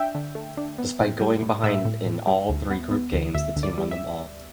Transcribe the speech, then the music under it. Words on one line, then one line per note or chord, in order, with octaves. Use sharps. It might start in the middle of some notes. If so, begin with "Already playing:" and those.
Despite going behind in all three group games, the team won them all.
Already playing: D4 E5 G5
D3
A3
D4
B3
A2
G3
A2
A2 E5
A2
A2
G3
D2
B3
B3
D2
D2 E5
D2
D5
G3
E5